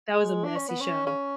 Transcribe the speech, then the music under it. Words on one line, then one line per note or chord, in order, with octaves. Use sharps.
That was a messy show.
G#3
D4
C#4
B3
C#4
C#4